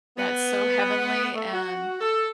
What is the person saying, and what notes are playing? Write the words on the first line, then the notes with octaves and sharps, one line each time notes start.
That's so heavenly and,
B3
A3
F#4
A4